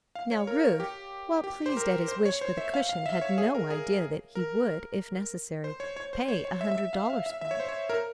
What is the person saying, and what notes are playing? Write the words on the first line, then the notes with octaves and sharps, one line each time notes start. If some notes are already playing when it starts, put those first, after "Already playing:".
Now Ruth, while pleased at his wish for the cushion had no idea that he would, if necessary, pay a hundred dollars for it.
F5
C#5
A#4
G4
G4
C5
A#4
C5
C#5
C5
E5
F5
F5
E5
C#5
G#4
A#4
G#4
A#4
C5
C#5
C#5
C5
C#5
C#5
E5
E5
F5
F5
E5
E5
C#5
C5
C#5
A#4